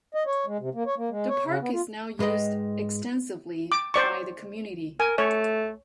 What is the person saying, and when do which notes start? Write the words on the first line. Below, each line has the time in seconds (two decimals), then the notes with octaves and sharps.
The park is now used extensively by the community.
0.14 D#5
0.26 C#5
0.46 G#3
0.59 C3
0.75 A#3
0.86 C#5
0.98 A#3
1.10 G#3
1.29 C#5
1.46 C#3
1.61 B3
1.73 F4
2.19 G#2 G#3 B4 D#5 G5
3.72 D6
3.94 C5 D5 C#6
5.00 A#4 G#5
5.18 A3 C#5